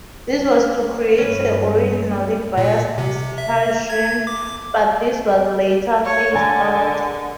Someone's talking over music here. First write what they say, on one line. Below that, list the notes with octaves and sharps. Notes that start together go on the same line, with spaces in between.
This was to create a regionally biased discussion, but this was later phased out.
G2 C#4 B4
A#2
C3
E5
G#6
D6
C#5
D3 A#4 G#5 A5